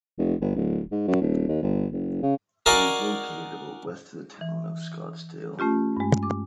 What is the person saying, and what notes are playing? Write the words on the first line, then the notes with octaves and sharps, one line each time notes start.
It is located about west of the town of Scottsdale.
F1
G1
D1
G#2
F#2
D#1
D#2
G1
F#1
C#3
F#4 A#4 D5 D#5 F5 G#5
E3
A3 C#4 F4 G4
G2 G#3
D6